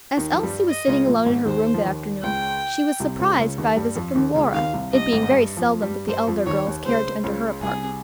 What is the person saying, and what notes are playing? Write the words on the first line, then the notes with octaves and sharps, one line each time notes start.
As Elsie was sitting alone in her room that afternoon she was surprised by a visit from Lora; it being very seldom that the elder girls cared to enter her apartment.
D#2 D#3
F3
G2 G3
D#5
C#2 C#3
A#1 A#2
G#1 G#2
D#2 D#3 C5
F3
D#2 D#3
C#2 C#3 G5
C2 C3
C#2 C#3
C#2 C#3
D#2 D#3
G2 G3
F2 F3
D#2 D#3
C#2 C#3
D#2 D#3 F5
C2 C3
C2 C3 D#5
G#1 G#2
G#2
G2
F2 F3
G2 G3
G2 G3 C5
F2 F3
D#2 D#3 C#5
D#2 D#3
C#2 C#3 C5
C#2 C#3
C2 C3 G#4